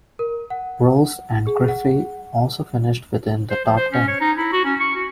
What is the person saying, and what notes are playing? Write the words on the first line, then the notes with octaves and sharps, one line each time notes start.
Rose and Griffey also finished within the top ten.
A#4
F#5
G#4
F#5
C5
F3
C5
C#4
C#5
D#4
E4
F#4
C#4
C#6
F#4